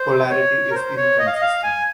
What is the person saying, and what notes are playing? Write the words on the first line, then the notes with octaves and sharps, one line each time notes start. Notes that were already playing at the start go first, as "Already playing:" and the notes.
Polarity is inconsistent.
Already playing: C5
C#5
A#4
C5
C#5
D#5
F5
D#5
F5
G#5